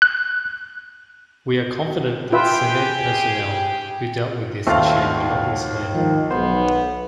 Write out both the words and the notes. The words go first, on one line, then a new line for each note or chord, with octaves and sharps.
We are confident that Senedd personnel who dealt with this issue were not misled.
F#6
F4 G4 G#4 B4 E5 G5
D#2 B2 A3 C4 F4 F5
G#2 D#3 F3
B1 B3 C5